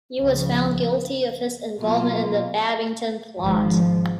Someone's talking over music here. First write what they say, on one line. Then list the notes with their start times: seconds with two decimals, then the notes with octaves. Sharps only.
He was found guilty of his involvement in the Babington plot.
0.18 C#2 C#3 F3
1.79 B2 F#3 A#3 F4
3.40 G#1 G#2 F3